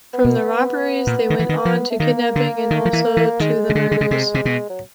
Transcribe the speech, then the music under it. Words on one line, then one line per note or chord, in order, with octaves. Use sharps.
From the robberies they went on to kidnapping and also to the murders.
B3
B2
B3
A#2
D#3
E3
D#3
F3
A3
D#3 A#3
D3
D#3
F3
E3
E3
D#3 G#3
C#3
D3
D3
C#3
C3
C3
B2
F#3